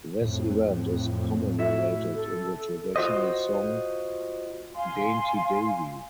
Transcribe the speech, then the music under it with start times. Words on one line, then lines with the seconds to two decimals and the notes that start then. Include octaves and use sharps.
This event is commemorated in the traditional song "Dainty Davie".
0.21 F2 A2
1.58 E4 F#4 E5
2.15 A4
2.96 F4 F#4 C5 D#5
4.75 F5 G#5 C6